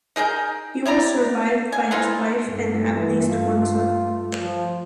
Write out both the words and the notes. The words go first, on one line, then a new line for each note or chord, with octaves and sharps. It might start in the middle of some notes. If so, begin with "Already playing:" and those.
He was survived by his wife and at least one son.
D#4 G#4 A#4 G5
E4 G4 D5 A#5
G#5
E3 C4 D#4 F4
G2 A3
E3
F4
F3